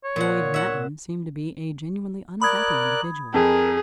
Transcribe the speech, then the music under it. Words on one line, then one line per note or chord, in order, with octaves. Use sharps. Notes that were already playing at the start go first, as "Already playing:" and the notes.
Lloyd Manton seemed to be a genuinely unhappy individual.
C#5
A#2 F#5
E5 F#5
A#4 D5 B5 D#6 F#6 G#6
F2 G#4 A#4